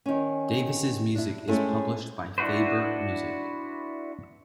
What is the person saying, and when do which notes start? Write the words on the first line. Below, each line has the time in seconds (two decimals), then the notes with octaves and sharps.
Davis's music is published by Faber Music.
0.06 D#3 C#4
1.15 D4 E4
1.48 G#3 A3 C4 C#4 E4 A4
2.38 D4 E4 F#4 B4 C5